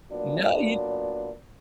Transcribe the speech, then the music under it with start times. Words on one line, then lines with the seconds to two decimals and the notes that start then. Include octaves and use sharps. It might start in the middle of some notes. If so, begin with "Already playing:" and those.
No, you
0.12 A#2 F#3 B3 D4